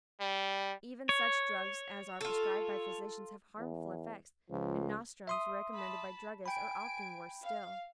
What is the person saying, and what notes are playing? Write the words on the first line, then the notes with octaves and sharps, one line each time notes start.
Even such drugs as are prescribed by physicians have harmful effects, and nostrums recommended by druggists are often worse still.
G3
C#5
F4 A4
E2
C#2 F3
E5 C6 D#6
A5 B5
G5 G#5 B5 D7
F5